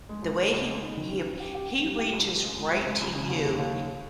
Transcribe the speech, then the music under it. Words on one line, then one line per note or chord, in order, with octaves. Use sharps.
The way he he, uh he reaches right to you,
G#3
C#2
C#2
C#2
G#3
D#4
D#3
C#4
C#4
G4
G4
G4
G3
G4
C#2
C#2
G#3
C#2
C#2
G#3
C#2
C#3
D#2
D#2
D#2
D#2